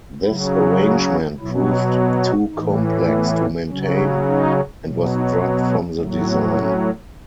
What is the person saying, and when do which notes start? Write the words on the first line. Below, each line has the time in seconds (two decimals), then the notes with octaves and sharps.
This arrangement proved too complex to maintain and was dropped from the design.
0.25 C#3 F#3 E4
0.54 D#4
0.82 D#4
1.11 E4
1.40 B2 F#3 E4
1.68 F#4
1.97 F#4
2.26 F#4
2.55 A2 E3 D#4
3.12 B3
3.69 C#3 F#3 C#4
3.98 D#4
4.27 D#4
4.84 B2 F#3
5.13 D#4
5.42 B3
5.70 G#3
5.99 A2 F#3 A3
6.27 B3
6.56 C#4